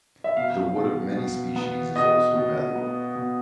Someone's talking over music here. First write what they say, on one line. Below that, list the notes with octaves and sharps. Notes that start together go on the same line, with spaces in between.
The wood of many species is also valuable.
E5
B2 F5
B2
B2
B3
B2 D#5
B2
B3
B2